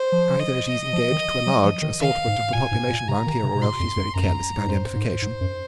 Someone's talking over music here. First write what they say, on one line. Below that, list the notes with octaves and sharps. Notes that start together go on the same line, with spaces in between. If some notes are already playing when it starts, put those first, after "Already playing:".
Either she’s engaged to a large assortment of the population round here or else she’s very careless at identification.
Already playing: C5
F3
D#5
F3
D#3
F#3
F3
D#3
D#3 F5
G#2
A#2 G#5
G#2
A#2
C3 A#5
D#3
C3
C3
A#2 C6
F2
F#2
F#2 A#5
G#2
F#2 C5
G#2
G#2
F#2